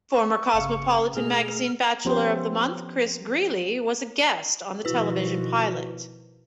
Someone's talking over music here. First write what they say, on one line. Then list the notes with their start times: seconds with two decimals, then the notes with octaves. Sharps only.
Former Cosmopolitan Magazine Bachelor-of-the-Month Chris Greeley was a guest on the television pilot.
0.13 C#6
0.54 G1 C#3 F5 C#7
1.17 B2 A3 A#3 G#4 F6
2.05 F3 B3 C#4 G4 C5
4.85 B2 D#3 F3 E4 F#4 B4